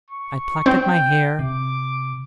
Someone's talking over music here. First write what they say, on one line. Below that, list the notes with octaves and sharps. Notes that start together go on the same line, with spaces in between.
I plucked at my hair.
C#6
C4 G5
C3 D6